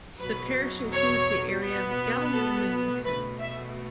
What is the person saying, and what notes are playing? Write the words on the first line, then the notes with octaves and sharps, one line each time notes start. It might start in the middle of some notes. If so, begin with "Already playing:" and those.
The parish includes the area of Galmington.
E2 B2 F#3 B4
C#5
B2 B3
A4
B2 A3 B4
E5